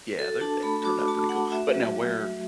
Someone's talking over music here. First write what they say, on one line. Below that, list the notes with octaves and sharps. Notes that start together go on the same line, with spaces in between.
Yeah, they're they had turned out pretty cool. But now where
F#4 A4
D4 A5
A3 B5
F#4 D6
A3 A5
A3 F#5
F#4 E5
F#3
F#3
F#3